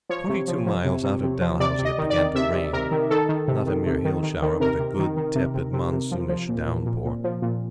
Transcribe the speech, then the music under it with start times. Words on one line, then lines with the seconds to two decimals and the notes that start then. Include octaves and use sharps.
Twenty-two miles out of Dalhousie it began to rain--not a mere hill-shower, but a good, tepid monsoonish downpour.
0.09 F3 C#5
0.29 C3
0.48 F3
0.66 F3
0.85 C3
1.04 C3
1.23 C3
1.41 F3
1.60 C3 D5
1.79 C3
1.85 D#5
1.98 D#3
2.10 D5
2.17 D#3
2.35 C3 E5
2.54 C3
2.73 C3 A#4
2.91 D#3
3.10 D#3 A4
3.29 D#3
3.48 C3
3.67 D#3
3.86 C3
4.05 D#3
4.23 D#3
4.42 D#3
4.60 C3 A#4
4.79 C3
4.99 D#3
5.17 D#3
5.35 C3
5.54 C3
5.73 C3
5.93 C3
6.11 F3
6.29 F3
6.49 A#2
6.67 A#2
6.86 A#2
7.05 A#2
7.24 F3
7.42 A#2